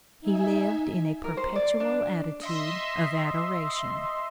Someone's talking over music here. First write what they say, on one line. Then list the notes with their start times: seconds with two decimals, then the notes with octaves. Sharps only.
He lived in a perpetual attitude of adoration.
0.21 D#4 E5 G#5
1.24 A#4
1.37 C5
1.56 D5
1.80 D4
2.42 D#5 E5 C6